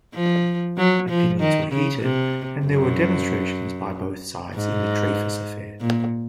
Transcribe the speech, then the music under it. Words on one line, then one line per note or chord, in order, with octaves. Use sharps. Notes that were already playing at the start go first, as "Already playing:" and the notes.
Opinions were heated and there were demonstrations by both sides in the Dreyfus affair.
F3
F#3
F3
D#3
C#3
C3
F#2
G#2
A#2